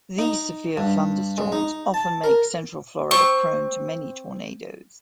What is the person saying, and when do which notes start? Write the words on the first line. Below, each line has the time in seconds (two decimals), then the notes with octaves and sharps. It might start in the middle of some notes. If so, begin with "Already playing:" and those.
These severe thunderstorms often make Central Florida prone to many tornadoes.
0.18 D#4
0.77 G2
1.38 G#3
1.52 D#4
1.94 A5
2.24 A#4
3.11 C4 C#6